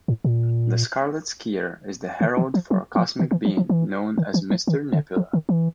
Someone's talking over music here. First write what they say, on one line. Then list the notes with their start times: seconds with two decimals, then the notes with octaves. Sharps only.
The Scarlet Skier is the herald for a cosmic being known as Mr. Nebula.
0.08 A2
0.24 A#2
2.21 D#3
2.37 E3
2.54 F3
2.71 F#3
2.96 F3
3.19 D#3
3.31 E3
3.45 F3
3.57 F3
3.69 E3
4.18 D#3
4.34 E3
4.50 F3
4.67 D#3
4.92 D3
5.16 F3
5.33 D#3
5.49 E3